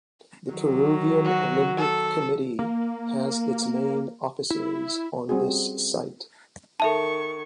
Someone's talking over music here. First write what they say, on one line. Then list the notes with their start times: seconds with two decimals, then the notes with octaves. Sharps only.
The Peruvian Olympic Committee has its main offices on this site.
0.50 D#3 F#3
1.24 F#4
1.77 A4
2.59 A#3
4.50 E4
5.29 G3 C4 C#4 F#4 G#4
6.80 D#3 A4 E5 A5 C#6